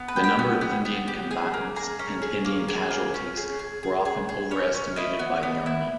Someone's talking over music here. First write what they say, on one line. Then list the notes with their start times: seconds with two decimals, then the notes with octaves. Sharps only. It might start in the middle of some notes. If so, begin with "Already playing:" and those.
The number of Indian combatants and Indian casualties were often overestimated by the army.
Already playing: B3
0.08 B4
0.16 G4
0.24 G5
0.39 B3
0.61 B3
0.85 B3
1.08 G4
1.31 G#4 G#5
1.54 A#3
1.76 G#4 A#5
1.99 C#4
2.22 G#4
2.45 A#3
2.68 G#4
2.91 A#3
3.14 C#4
3.37 G#4
3.59 G#4
3.83 G#4
4.05 G#4
4.29 G#4
4.51 C#4 C#5
4.75 C#4
4.96 E4 D#5
5.19 B3
5.43 B3
5.66 E4